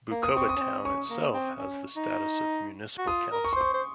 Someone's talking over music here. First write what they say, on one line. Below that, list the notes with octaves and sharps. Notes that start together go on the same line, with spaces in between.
Bukoba Town itself has the status of a municipal Council.
A#3
D#6
C4 C#6
D#6
C#4
C4
C#4 C#6
A#3
C4
C#4
D#4
F#4
F4 D#6
A#4
C#6
C6
C5 C#6
C5